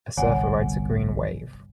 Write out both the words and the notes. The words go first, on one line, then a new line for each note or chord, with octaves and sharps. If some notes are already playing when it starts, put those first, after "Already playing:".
A surfer rides a green wave.
G1 C2 C#5 F#5 G#5